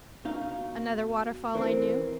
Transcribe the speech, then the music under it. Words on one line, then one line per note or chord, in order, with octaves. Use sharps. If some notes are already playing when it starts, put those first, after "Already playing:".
"Another waterfall I knew."
B2 D#4 F5
E3 C4 A#4 C5